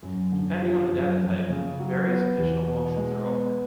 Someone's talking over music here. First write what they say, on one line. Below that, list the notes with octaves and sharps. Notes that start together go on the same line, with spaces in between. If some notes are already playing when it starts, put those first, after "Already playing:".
Depending on the data type, various additional functions are offered.
F#2
D3
F3
F#2
F2
C#3
F#3
B3
E2
B2
G#3
B3